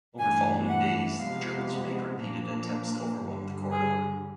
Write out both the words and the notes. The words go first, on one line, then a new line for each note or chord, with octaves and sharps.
Over following days the Germans made repeated attempts to overwhelm the corridor.
G2 E3 A3 D4 G#5
F#5
C3 F3 G#3 B3 F5
A#2 F3 A#3 D4
G2 D3 G3
G#4